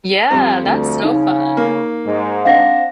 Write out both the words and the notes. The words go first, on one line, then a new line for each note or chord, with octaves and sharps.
Yeah, that's so fun.
F2 G3 C4
D2
C#3 D#4
A#3
G#2
C4 D4 F5 F#5 A#6